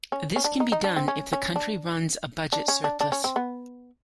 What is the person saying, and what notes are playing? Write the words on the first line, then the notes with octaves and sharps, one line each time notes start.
This can be done if the country runs a budget surplus.
C#4
C#4
D4
D#4
D#4
D4
C4
C#4
C#4
D4
D4
C#4
D4
D4
C#4
C4
B3